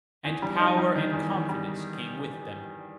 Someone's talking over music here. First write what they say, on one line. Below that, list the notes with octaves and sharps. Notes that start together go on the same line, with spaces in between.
And power and confidence came with them.
E2
G3
D#4
G3
D#3
E2
E2
G3